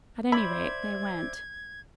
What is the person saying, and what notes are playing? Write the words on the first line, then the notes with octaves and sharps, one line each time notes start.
At any rate, they went.
C5 D5 E5 B5 G#6